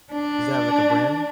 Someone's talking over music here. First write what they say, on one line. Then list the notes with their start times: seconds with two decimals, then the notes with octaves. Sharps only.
is that, like, a brand?
0.12 D4